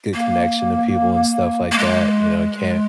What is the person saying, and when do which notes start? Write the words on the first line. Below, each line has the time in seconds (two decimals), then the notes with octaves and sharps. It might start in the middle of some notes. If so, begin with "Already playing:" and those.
good connection to people and stuff like that, you know, it can't
0.14 A#3
1.72 A#3
1.78 G#3